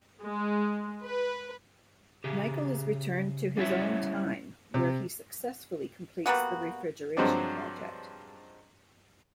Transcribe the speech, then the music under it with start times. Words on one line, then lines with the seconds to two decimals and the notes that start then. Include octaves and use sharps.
Michael is returned to his own time, where he successfully completes the refrigeration project.
0.21 G#3
1.03 B4
2.24 C#3 G4 G#4
3.57 G3 C#4 E4 G4 C#5 E5
4.74 C3
6.26 G3 A#3 B3 F#4
7.17 G2 F3 F#3 G#3 C4 D4